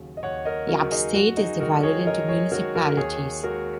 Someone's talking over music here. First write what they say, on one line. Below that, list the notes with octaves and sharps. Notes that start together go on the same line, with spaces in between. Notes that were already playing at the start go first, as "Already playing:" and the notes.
Yap State is divided into municipalities.
Already playing: D#2 C#3 F#3
D#5
D#2 C#5 F#5
A#4 D#5
C#3 F#3 F#4 A#4
D#4 G#4
F#2 F#4
D#4 G#4
D#3 G#3 F#4 A#4
G#4 C#5
F#2 A#4 D#5
G#4 C#5
D#3 G#3 F#4 A#4
F#4 A#4
D#2 G#4 C#5
D#3 G#3 F#4 A#4